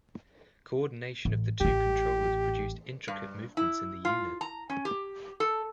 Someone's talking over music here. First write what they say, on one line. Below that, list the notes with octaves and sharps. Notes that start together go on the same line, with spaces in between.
Coordination of the two controllers produced intricate movements in the unit.
A1
A1 A2 G4
G2
E4
F4
A#5
C#4
G4
A4